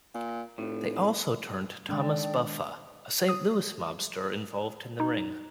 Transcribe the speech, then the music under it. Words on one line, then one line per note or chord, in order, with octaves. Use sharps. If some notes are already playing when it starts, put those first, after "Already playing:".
They also turned Thomas Buffa, a Saint Louis mobster involved in the ring.
A#2
F1 A2
D#3 G#3 D4 A4 D5 G5
D#6
D#4